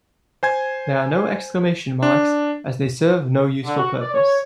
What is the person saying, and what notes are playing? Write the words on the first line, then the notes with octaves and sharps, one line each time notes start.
There are no exclamation marks, as they serve no useful purpose.
C5 G#5 G#6
D4
D3
F#4
D5
C#5